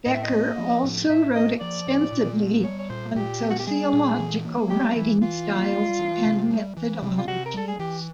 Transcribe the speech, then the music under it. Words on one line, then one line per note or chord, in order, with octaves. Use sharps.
Becker also wrote extensively on sociological writing styles and methodologies.
A2 D#5
E5
D#5
A#3
F3
A2
A2 E5
A#3 D#5
F3 D5
A2
A#2
B3
G3 C#5
C#5
A#2 C5
A#2 G4
B3
F#4
G4
G3 G#4
A#2
E3
A#3
G3 G4
E3 E4
E3 F4
A#3
G3
E3
C3
G3
E3
C3
F4
C3 F#4
A#4
G3 A4
G#4
E3 G4